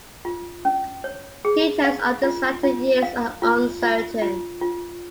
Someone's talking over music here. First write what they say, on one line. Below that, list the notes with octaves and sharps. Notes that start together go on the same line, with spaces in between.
Details of his latter years are uncertain.
F4
C#4
C#5
G#4
F5
F4
F4
F5
F4
F4
F4
F4